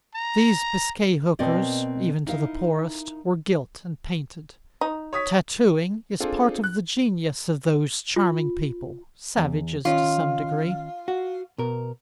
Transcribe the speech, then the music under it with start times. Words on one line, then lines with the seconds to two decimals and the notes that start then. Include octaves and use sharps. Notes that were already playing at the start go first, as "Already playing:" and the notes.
These Biscay hookers, even to the poorest, were gilt and painted. Tattooing is part of the genius of those charming people, savages to some degree.
0.15 A#5
1.39 B2 C4 A#4 D5 D#5
2.26 D#4 E4 A#4 F5
4.81 D#4
5.13 C#5 D#6 B6
6.20 C4 D4 F4 G#4 A4
6.64 F#6
8.16 F4
9.37 E2
9.85 D#3 C#4 D#4 F4
11.08 F#4
11.58 B2 A#4